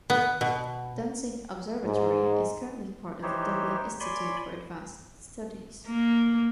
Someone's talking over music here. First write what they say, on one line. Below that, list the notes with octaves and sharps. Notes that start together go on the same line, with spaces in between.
Dunsink observatory is currently part of the Dublin Institute for Advanced Studies.
B3
B2
G#2
E3 D#4 E4 G4 C5 C#5
C#5 D5 G#5 B5 C6
A#3